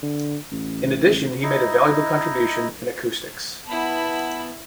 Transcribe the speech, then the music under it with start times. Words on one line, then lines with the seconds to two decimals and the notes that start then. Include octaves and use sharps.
In addition, he made a valuable contribution in acoustics.
0.02 D3
0.51 A1
1.05 A1
1.43 D#4 E4 D#5
3.67 B3 E4 A5 B5